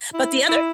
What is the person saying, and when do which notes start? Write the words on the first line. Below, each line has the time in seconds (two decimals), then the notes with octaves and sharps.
But the other
0.14 E4
0.49 E4